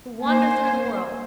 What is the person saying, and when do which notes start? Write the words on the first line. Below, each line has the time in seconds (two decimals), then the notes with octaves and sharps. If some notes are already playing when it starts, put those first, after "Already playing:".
Who wander through the world.
0.22 A#3 C5 G#5